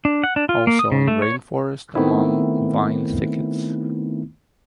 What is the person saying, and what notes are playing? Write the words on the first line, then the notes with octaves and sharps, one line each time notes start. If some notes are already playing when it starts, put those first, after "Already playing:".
Also in rainforest amongst vine thickets.
D4
F#5
D4
F4
A#3
D#6
C#3
A3
C#5
D#3 A3 B3 C4 D#4 E4